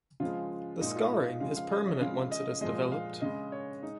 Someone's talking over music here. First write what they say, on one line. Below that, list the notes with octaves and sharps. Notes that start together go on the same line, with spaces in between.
The scarring is permanent once it has developed.
C#3 F3 G#3 F4
A#2 G#3 D#4
F4
F4
C#3 F3 G#3 F5
F5
D#5
C#5
C#3 F3 G#3 F5
D#5
A#2 F3 G#3 D#5
F5
C#3 G#3 D#5
C#5
G#3 D#4